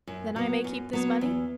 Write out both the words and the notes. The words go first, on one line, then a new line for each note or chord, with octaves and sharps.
"Then I may keep this money?"
F#2
F#3 B3
F#2
F#3 B3
E2